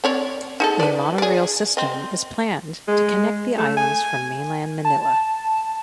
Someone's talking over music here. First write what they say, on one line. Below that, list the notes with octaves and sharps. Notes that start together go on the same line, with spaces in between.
A monorail system is planned to connect the islands from mainland Manila.
C4 C#5 D5
D#4 G#4 A4
B4 D5
G#4 D5
C4 D#5
G#3
A3
G#5
A5